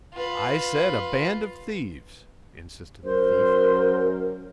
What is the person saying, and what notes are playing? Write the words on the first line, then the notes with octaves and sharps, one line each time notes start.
"I said a band of thieves," insisted the thief.
F4 B4
F#2 A#4 C5